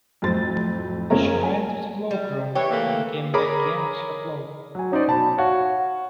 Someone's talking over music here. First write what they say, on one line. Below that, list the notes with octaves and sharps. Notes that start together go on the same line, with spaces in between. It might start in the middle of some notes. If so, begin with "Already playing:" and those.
She ran to the cloak-room, and came back again with her cloak.
F2 A2 F#3 C5 A6
F#1 C#3 F4 A#4 C#5 A#5
G#5 A5
G3
E3 G4 C#5
E3 A3 A#3
G#4 A#4 C#5 A#5 B5 D6
F#3 G#5
C#4 D#4 C5 D5
B2 A5 B5
F#4 C#5 F5